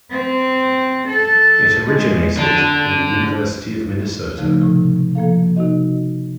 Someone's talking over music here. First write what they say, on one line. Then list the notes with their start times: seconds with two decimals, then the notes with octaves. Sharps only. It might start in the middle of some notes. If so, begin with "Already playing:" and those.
It originated in the University of Minnesota.
0.11 C4
1.07 A4
1.87 G#3
2.37 D3 D4
4.38 C#3 F3 A3 D#4
4.61 A2 C3 F3
5.15 F3 A#3 A4 F5
5.56 C3 D#4 F#4 D#5